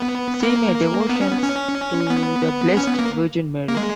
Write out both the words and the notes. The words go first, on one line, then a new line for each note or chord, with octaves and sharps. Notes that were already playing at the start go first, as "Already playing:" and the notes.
See May devotions to the Blessed Virgin Mary.
Already playing: B3
A#3
B3
C#4
B3
C#4
B3
C#4
B3
A#3
A#3
G#3